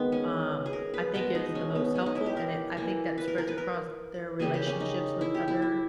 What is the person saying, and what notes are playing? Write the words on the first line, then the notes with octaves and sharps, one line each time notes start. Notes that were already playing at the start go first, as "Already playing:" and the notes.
um, I think is the most helpful and it I think that spreads across their relationships with other,
Already playing: D#3 G#3 B3 D#4
C#4
G#4
A#4
B4
B2 G#3 B3 A#4
D#4
C#4
B3
C#4
D#4
E4
G4
A#4
E3 A#3
B4
A#4
A#4
B4
A#4
C#3 G3 A#3 G#4
G4
C#4
D#4
E4
G4
E4
E4